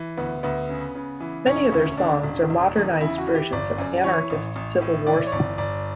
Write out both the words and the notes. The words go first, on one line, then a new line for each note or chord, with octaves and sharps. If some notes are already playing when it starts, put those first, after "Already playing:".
Many of their songs are modernized versions of anarchist civil war songs.
Already playing: E3
D2 B3
D2 B3
C#3
C#3
E3
E1 C#4
D2
C#3 D4
E1
E1
E2
C#3 E4
F#4
E3
G4
G1 D5
F#2
E3 C#5
A1
A1
A2
E3 D5
C#5
G1 D5
G1 D5